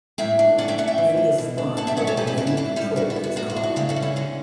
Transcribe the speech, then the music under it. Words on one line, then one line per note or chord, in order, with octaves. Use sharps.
Enge spun but regained control of his car.
A2 E5 G5
D4
C#4 D5 F#5
E5 G5
A3 F#5 A5
E5 G5
E3
D4
B2
D4
B2 F#5 A5
E5 G5
C#4 D5 F#5
A4 C#5
B2 G4 B4
E4 G4
D4 F#4
E4
D4 E4
G3 E4 G4
D4 F#4
E4
B3
F#4
A2 F#4
F#4
D4
F#4
C#3 E4 G4
F#4 A4
C#4
E4 G4
D3 F#4